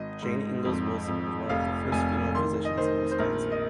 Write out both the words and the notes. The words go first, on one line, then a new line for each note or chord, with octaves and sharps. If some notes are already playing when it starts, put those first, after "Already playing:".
Jane Ingalls Wilson was one of the first female physicians in Wisconsin.
Already playing: G#1 D#5
G#2
F2
F2
F1 F5
F1 G#5
D#3 C6
D#5
D#3 C5
C5
A#1 A#4
D#5